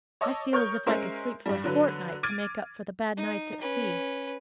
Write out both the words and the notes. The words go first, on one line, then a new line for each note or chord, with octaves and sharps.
"I feel as if I could sleep for a fortnight to make up for the bad nights at sea."
C#5 D#5 A5 C#6 D6 E6
A#4 C#5 C#6 D#6 F6 G6
G#3 C#4 A#4 C5 E5
G2 G3
D3 F#3 B4
D6 F6 G#6 A6 D7 D#7
D#4
C#4 B4